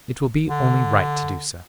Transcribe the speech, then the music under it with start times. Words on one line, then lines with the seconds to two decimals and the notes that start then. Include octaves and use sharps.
"It will be only right to do so."
0.49 D3